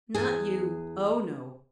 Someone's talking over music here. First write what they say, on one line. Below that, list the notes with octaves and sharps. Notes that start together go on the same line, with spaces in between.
"Not you--oh no!"
E2 G#4